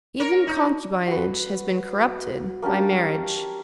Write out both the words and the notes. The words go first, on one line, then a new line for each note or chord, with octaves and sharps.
Even concubinage has been corrupted--by marriage.
A#4 C#5
D#4
F#4 B4
A#3 C#4 D4 G4